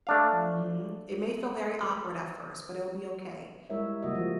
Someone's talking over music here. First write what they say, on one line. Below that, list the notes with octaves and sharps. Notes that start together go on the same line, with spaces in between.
Mhm. It may feel very awkward at first, but it'll be okay.
A3 D4 F5
G3 G#3 E4 A#4 C#5 E5
C#3 G3 A#3 F#4 D#5 E5
F3